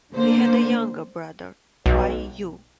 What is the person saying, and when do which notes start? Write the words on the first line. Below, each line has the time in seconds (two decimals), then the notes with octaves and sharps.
He had a younger brother, Kuai Yue.
0.14 D3 A#3 C5
1.86 B1